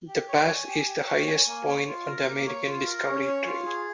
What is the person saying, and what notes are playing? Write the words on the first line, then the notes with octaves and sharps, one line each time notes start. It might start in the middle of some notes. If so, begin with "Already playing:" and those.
The pass is the highest point on the American Discovery Trail.
G4
C#5
G#5
G4
G4
C#5
G#5
A#3
C#5
F4
A#4
A#3
C#5
F4
A#4
C#4
C#5
F4
G#4